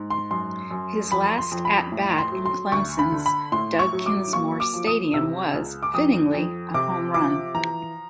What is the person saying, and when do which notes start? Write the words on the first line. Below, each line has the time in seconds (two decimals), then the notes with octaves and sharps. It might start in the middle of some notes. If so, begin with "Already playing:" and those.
His last at-bat in Clemson's Doug Kingsmore Stadium was, fittingly, a home run.
Already playing: G#2
0.10 C6
0.31 F#2 C6
0.71 F#2
1.11 F2 B5
1.38 C6
1.52 F2
1.65 B5
1.92 A2
2.18 C6
2.32 F#3
2.46 C6
2.72 D2 C#6
2.99 B5
3.12 D3
3.26 B5
3.52 A2 C6
3.79 C#6
3.93 F#3
4.06 D6
4.33 A#3 C#6
4.60 D6
4.73 F3
4.87 D#6
5.14 C3 E6
5.54 C#2
5.83 D6
5.94 F2 D#6
6.34 F2
6.74 C3 D6
7.14 F3 D6
7.54 E3 A#5